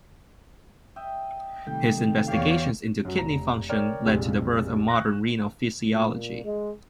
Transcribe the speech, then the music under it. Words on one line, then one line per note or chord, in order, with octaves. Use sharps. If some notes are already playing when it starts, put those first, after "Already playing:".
His investigations into kidney function led to the birth of modern renal physiology.
D#5 E5 G5
C3 D#3 G3 A3 G5
E2 F#4 G4 C#5 D5 F5
F#2 F#3
F1 A#5
A#4 C#5 D5 G5 F6
A#1 F2 C3 G3 G#3
C#6 F#6 A#6
A#2
G#3